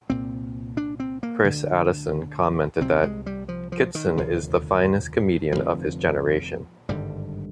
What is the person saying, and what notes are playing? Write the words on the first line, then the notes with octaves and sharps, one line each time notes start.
Chris Addison commented that 'Kitson is the finest comedian of his generation'.
C2 A#2 C4
D4
C4
A#3
D2 D3
C2 C3 C4
G#3
G3
F3
F3
D#3
F1 D#2 D3 F3
F1 D#2 D3 F3
G#1 G2 D3 G3